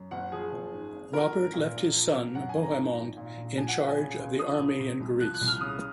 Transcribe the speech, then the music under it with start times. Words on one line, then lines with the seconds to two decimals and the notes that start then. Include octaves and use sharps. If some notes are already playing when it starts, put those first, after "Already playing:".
Robert left his son Bohemond in charge of the army in Greece.
Already playing: F#2
0.11 F#1 F#5
0.32 F3 G#4
0.52 F#1
0.73 G#2
0.93 G#1
1.13 F3 A#4
1.33 G#1
1.53 A#2
1.75 A#1
1.95 F3
2.15 A#1
2.35 F#2 F#5
2.49 G#5
2.56 G#1
2.63 A#5
2.76 F3
2.96 G#1
3.17 A#2
3.37 A#1
3.57 F3 G#5
3.68 F#5
3.78 A#1 F#5
3.88 G#5
3.98 C#3
4.19 C#2
4.39 F3 D#6
4.59 C#2
4.80 C3
5.00 C2
5.20 F3 F#6
5.34 F#6
5.41 C2
5.48 F6
5.61 C#3 D#6